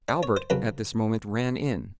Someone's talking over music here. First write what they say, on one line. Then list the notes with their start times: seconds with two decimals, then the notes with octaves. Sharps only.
Albert at this moment ran in.
0.09 D5
0.23 C#5
0.37 C5
0.50 F2 C#3 F#3 B4